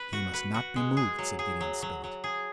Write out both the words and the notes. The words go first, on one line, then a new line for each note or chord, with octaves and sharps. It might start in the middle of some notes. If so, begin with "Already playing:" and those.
"He must not be moved." said Gideon Spilett.
Already playing: B4
F#4
B4
F#4
G#3
G#4
F#3
G#4
F#3
F#3
F#3
G#4